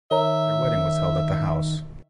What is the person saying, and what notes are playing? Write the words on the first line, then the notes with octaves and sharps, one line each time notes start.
Their wedding was held at the house.
D#3 A#4 C#5 E5 A#5